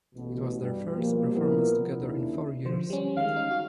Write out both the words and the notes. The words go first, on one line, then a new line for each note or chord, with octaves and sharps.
It was their first performance together in four years.
A1 B2
G2 G3
B2 F3 G3 A#3
A#2 F3 B3 E4 A#4
D#2 C#3 D4 E4
D3 F3 C5
G3 C#4
D#3 G#3 F5
D#4
F#4